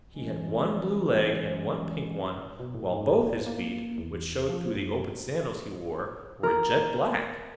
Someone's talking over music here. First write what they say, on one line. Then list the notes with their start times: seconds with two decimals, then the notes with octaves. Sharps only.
He had one blue leg and one pink one, while both his feet--which showed through the open sandals he wore--were jet black.
0.16 E3 G#3 C#4
2.60 B2
2.75 A2
2.93 G#2
3.15 D1
3.46 A#3
3.98 E2
4.50 F3
4.74 F#2
6.43 A#4